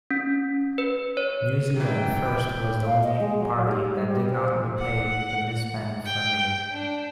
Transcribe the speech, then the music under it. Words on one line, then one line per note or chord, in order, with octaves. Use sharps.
New Zealand First was the only party that did not repay the misspent funding.
C#4
B4
C#5
E3 F#3 G5
B5 D6
F5
D#5
G#3
F#3
G4
G3
G3
C5
F#5
G5
D4